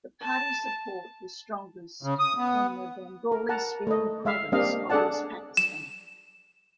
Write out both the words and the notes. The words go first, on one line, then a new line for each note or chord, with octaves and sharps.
The party's support was strongest in the Bengali speaking province of East Pakistan.
A5
C#3
D#6
B3
A#4
A#4 F#5 A5 A#5
A3 D#5
G#3 E5 F5
G3 A#3 C4 D4 D#5 F5
D4 G#4 A4 D5 F#5 A5
E7